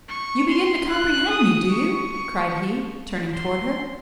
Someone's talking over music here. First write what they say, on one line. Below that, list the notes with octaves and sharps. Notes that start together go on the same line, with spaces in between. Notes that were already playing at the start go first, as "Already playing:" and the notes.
"You begin to comprehend me, do you?" cried he, turning towards her.
C#6
C6
F#6
D#6
C#6
C#6
C6